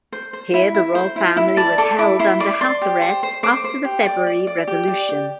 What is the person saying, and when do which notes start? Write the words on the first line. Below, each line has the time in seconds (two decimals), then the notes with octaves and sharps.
Here the royal family was held under house arrest after the February Revolution.
0.12 C5
0.33 C5
0.54 E4
0.75 E4
0.95 C5
1.16 E4
1.37 E4
1.57 D5 A5
1.78 A4 D6
1.99 E4 D6
2.19 E4 C6
2.40 D5 D6
2.61 D5 C6
2.82 G4
3.02 C5
3.23 C5
3.43 C5 D6
3.64 C5
3.85 G4
4.06 D5
4.27 D5
4.47 D5
4.67 G4
4.88 D5
5.09 G4